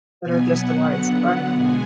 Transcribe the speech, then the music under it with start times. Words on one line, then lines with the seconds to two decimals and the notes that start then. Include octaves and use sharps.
That are just the whites. Right.
0.23 B2 F#3 B3 G#5
0.56 F#5
0.88 D3 F#3 B3 F#5
1.21 F#5
1.53 B2 G#3 B3 G#5